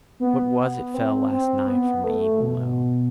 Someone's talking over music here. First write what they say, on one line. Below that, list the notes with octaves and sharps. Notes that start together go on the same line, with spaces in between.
What was it fell last night from the evil moon?
B3
C4
C4
B3
A3
B2